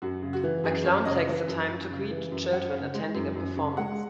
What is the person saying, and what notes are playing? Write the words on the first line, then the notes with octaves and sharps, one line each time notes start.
A clown takes the time to greet children attending a performance.
F#2 F#4
C#3
F#4
E3
F#2 G#4
F#2 C#5
C#3 D#5
E3
F#2
F#2
C#3
E3
F#2
F#2 F#5
C#3
G#3
F#2
F#2
C#3
G#3 F#5